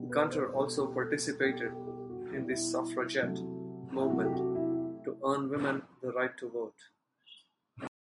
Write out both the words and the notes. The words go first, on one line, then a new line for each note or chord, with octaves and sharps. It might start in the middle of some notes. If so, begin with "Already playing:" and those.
Gunter also participated in the Suffragette movement to earn women the right to vote.
Already playing: B2 G3
B4
C5
B2 G3 A4
G4
A4
A4
B2 G3 G4
G4
G4
F#4
B2 G3 E4
E4
C3 F#3 A3
E4
C3 F#3 A3 F#4
G4
F#4
E4